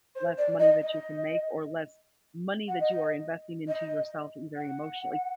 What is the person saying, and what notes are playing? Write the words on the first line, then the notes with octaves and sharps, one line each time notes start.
less money that you can make, or less money that you are investing into yourself and very emotionally.
C5
D5
D#5
D#5
F#5
D#5
D#5
F#5